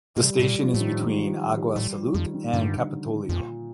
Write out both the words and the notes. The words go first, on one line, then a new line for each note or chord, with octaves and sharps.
The station is between Agua Salud and Capitolio.
A#2
C3 G3
A2 G3
A#2
F3
A2
D#3
D#3
F3
F3
G3
A2 G3
F3
F2 D#3
D#3
G2 D3
F2 A#2